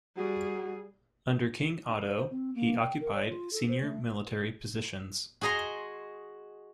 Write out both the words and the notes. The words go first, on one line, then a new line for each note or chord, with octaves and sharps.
Under King Otto, he occupied senior military positions.
G3 F#4 G#4
D#4
C5
C4
A#3
G5
A#4
C#5
F4
A4
C5
A3
F#4 G#4 D#5 A#5 C6